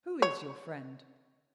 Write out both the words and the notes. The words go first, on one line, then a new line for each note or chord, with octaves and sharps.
"Who is your friend?"
C#5